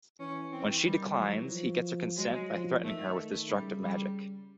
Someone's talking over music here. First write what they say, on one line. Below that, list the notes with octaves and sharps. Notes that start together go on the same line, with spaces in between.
When she declines he gets her consent by threatening her with destructive magic.
E3 C#4
C4
D#3 G3
E3 F#3
F3
F#3 G#3
F3
D#3 A3
C#3 G3
G3